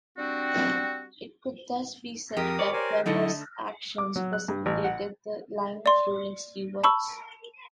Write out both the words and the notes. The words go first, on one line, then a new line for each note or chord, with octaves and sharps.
It could thus be said that Pelendur's actions precipitated the line of Ruling Stewards.
G3 C4 D4 F#4
F2 G4 A#4 D#6
C#5 D5
A#4 C5 G#5
D3 F#3 A3 D#4 E4 A4 D#5
D6
F#3
F#6
G2
A1
F#5
D5 C6
A5 B5 C#6 E6